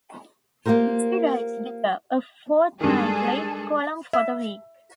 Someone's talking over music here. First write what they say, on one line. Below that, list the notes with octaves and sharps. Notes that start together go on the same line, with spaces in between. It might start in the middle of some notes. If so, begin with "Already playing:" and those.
De writes Detour, a fortnightly column for The Week.
A#3 F4 G4 A#4 C5
G2 D#3 G#3 G#4 A4
E5